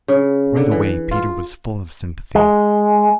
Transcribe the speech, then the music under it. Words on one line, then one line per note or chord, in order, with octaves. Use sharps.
Right away Peter was full of sympathy.
C#3
D3
E3
F4
G#3